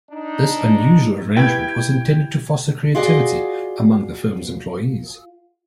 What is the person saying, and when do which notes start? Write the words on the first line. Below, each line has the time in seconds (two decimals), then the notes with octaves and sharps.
This unusual arrangement was intended to foster creativity among the firm's employees.
0.11 D4 D#4
1.37 E4 G4 B4 G5 G#6
2.95 F4 F#4 G#4 D5 D#5